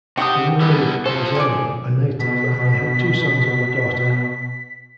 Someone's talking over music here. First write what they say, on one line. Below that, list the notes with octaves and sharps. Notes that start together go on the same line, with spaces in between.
He married Rosario, a native, and they had two sons and a daughter.
C3 D#3 G4 F#5 G5 A5 D#6
G3 B3 D4 E4 G#4
F3 A4 C5
G#4 D5
B2 B6